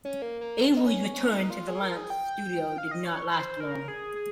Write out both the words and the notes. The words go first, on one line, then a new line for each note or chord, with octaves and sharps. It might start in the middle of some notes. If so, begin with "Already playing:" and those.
Avery's return to the Lantz studio did not last long.
C#4
A#3
A#3
D#4
C#4
C#4
D#4
F4
G#4
A#4
G#4
G5
F5
D#5
C#5
C5
A#4
G#4
G#4